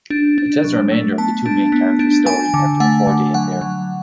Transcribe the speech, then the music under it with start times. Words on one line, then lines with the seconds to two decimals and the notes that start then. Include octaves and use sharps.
It tells the remainder of the two main characters' story after their four-day affair.
0.10 D4
0.38 D4
0.64 F#3
0.91 A3
1.18 B3 A5
1.46 D4
1.72 B3
1.99 D4
2.26 D4 G#5
2.54 D3
2.80 A3 F#5
3.07 D3
3.34 F#3 F#5
3.61 F#3